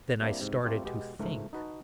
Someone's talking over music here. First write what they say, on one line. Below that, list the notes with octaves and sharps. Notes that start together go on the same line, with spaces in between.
Then I started to think.
G3 A#3 C4 D4 E4
G#2 C3
A3 C4 F4 G4 A#4 D5
B2 G#3 B3 G4
C#2 G#2 A3 A#4
D#4 F#4 B4 A5